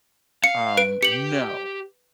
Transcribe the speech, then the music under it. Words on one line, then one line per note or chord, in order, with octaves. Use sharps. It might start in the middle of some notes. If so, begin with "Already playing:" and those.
Um, no.
F5 C#7
B4 D7
G4 C#7 F#7